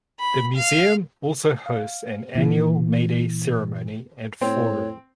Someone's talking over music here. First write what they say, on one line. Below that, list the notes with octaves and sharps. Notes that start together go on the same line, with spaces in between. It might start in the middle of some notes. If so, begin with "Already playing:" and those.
The museum also hosts an annual Mayday Ceremony and forum.
B5
F5
F5
A#2 E3
A2 C4 C#5